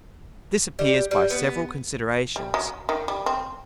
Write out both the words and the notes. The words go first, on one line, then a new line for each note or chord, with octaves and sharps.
This appears by several Considerations.
G3
G3
B3
G3
F#3
D#3
G3
C4